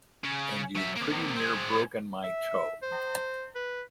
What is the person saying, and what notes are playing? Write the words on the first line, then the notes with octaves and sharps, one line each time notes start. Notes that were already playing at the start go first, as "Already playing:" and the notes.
And you've pretty near broken my toe.
C#3
F#3 E5
A#3 C4
C4 G#4
E5
C5
B4